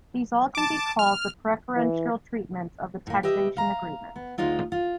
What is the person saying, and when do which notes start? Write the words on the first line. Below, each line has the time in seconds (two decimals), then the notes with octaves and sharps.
These all can be called the preferential treatments of the taxation agreement.
0.55 A5 D6
0.99 F6
1.76 E3
3.07 A2 A#3
3.23 G4 B4 D#5 E5
3.57 F5 A#5
4.16 B3
4.38 D2 G#3 D#4 F4 D#5
4.72 F4